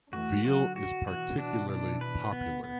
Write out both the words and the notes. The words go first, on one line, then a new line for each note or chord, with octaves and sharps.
Veal is particularly popular.
E3 A3 F#4
D3 F#3 F#4
F#4
B2 E3 F#4
D4
D4
B4
B3
B3